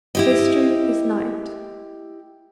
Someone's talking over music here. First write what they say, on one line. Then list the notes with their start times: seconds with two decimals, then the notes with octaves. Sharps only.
History is night.
0.15 E4 G4 D#5